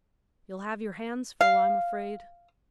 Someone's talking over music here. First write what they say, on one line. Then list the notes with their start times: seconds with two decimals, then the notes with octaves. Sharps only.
You'll have your hands full, I'm afraid.
1.41 F5